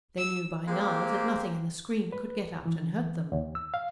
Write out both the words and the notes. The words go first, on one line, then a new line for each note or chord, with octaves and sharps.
They knew, by now, that nothing in the screen could get out and hurt them.
E6
G#3 A#3 C4 G4
B4
E3
D#2
E6
F5